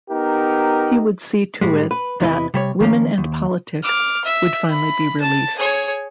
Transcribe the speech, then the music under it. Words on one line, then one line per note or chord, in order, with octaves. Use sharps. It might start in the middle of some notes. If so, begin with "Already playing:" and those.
He would see to it that "Women and Politics" would finally be released.
B3 D#4 G4 A#4
A2 G3 G#3
B4
E2 C3 E4 B4 D#5
C3 G3 C#5
D#3 F3 A#3 C#4
D#2
D6 F6
E5
B5
A5
G#4 C#5